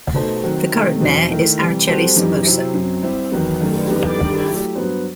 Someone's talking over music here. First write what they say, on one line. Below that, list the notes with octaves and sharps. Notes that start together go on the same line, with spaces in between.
The current mayor is Araceli Somosa.
B2 A3 D#4 A4 C5
D#3 F#3 C4 F#4
C3 D#3 A3
E2 B2 F#3 C4 D#4
D#3 A3 E4
C3 E3 G3
G3 C4 F#4 A4 C5
F#2 E3 G3 D#4 G4
C3 F#3 C4 E4
F#2 F#3 C4
G3 C4 E4 G4
E2 D#3 F#3 B3
F#2 D#3 A3
F#2 E3 B3 D#4 G4
G2 D#3 G3
F#3 A3 E4 G4
G2 F#3 B3 F#4 C5